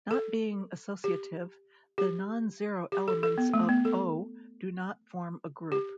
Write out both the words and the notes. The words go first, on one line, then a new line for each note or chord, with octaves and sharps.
Not being associative, the nonzero elements of O do not form a group.
A4
G4
G4
G4
A4
A4
B3
A3
B3
A4
G4